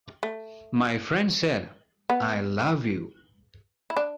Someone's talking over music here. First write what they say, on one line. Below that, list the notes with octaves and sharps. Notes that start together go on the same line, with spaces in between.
My friend said: "I love you."
A3
B3
E4
D4